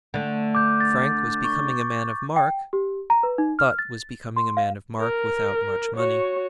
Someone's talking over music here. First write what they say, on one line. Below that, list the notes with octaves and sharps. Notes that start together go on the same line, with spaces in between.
Frank was becoming a man of mark,--but was becoming a man of mark without much money.
D3 A3
D6 G6
A6
C#6
G5
G4
A#5
B4
D#4
F6
A6
C6
F5
A#4
F#4 C#5